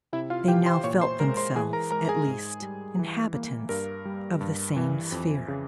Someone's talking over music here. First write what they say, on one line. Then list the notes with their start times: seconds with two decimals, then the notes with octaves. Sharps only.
They now felt themselves, at least, inhabitants of the same sphere.
0.13 C3 E4 E5
0.30 F4 F5
0.48 E3 G4 G5
0.66 C5 C6
0.84 A#2 C#5 C#6
1.01 C5 C6
1.20 G#3 A#4 A#5
1.37 C5 C6
1.55 E3 G#4 G#5
1.73 A#4 A#5
1.91 G#3 A#4 A#5
2.05 A#5
2.09 G#4 G#5
2.27 G#2
2.62 G3
2.99 E3
3.34 A#3
3.69 G2 A#4
4.05 G3
4.41 G2
4.76 E3
5.12 F2
5.48 C#3